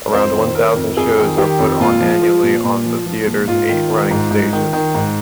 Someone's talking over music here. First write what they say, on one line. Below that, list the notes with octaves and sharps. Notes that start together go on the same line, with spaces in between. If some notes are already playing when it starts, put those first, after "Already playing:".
Around one thousand shows are put on annually on the theatre's eight running stages.
F2 C5
D#3
D#3 A#4
F2
F2 G#4
D#3
D#3 G4
F2
A#2 F4
F3
F3
A#2
A#2
F3
F3
A#2
G#2 F4
D#3
D#3
G#2
G#2
D#3
D#3
G#2